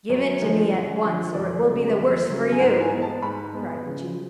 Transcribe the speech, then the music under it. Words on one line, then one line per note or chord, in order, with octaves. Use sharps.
Give it to me at once, or it will be the worse for you!' cried the Jew.
F#2 C#5
D3 F3 G#3
F#2
D3 F3 G#3
F2 D5
C#3 F#3 A3
F2
C#3 F#3 A3
G#5
G#2 F#5
G#5
G#3 B3
A5
G#2 B5
G#3 B3
C#3